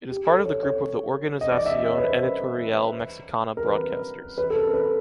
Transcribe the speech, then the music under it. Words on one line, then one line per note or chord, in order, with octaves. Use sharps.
It is part of the group of the Organización Editorial Mexicana broadcasters.
G4
A4
C#5
C#5
D#5
D5
E5
D#5
C#5
B4
C5
A#4
A#4
B4
B4
A4
A#4
A#4
B4